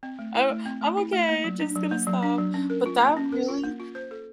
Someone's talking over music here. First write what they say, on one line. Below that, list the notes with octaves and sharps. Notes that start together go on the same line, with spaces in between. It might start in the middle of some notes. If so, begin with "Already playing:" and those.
"I I'm okay, just gonna stop." But that really,
C4
A3
E4
A3
C4
A3
E4
A3
A#3
F#3
D4
F#3
A#3
F#3
D4
F#3
C#4
A#4
F4
A#3
C#4
A#4
F4
A#3
F4
C5
A4